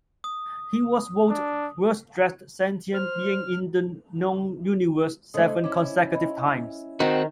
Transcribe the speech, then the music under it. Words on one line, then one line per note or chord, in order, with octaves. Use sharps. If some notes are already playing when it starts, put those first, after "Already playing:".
He was voted "Worst Dressed Sentient Being in the Known Universe" seven consecutive times.
D#6
D4
C5 F6
D3 A3 C5 D#5 D#6
C#4 E4 D6
D#5 B5
D#3 C4 F#4